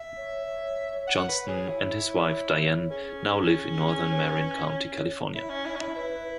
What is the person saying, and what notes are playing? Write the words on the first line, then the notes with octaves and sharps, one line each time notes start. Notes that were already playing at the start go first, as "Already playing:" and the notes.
Johnston and his wife Diane now live in northern Marin County, California.
Already playing: E5
C#5
C#5
F#5
B4
G#4
E4
C#4 G#4
C#5
B4
C#5
C#5
E4 C#5
C#4
E4
C#4
E4
E4 B4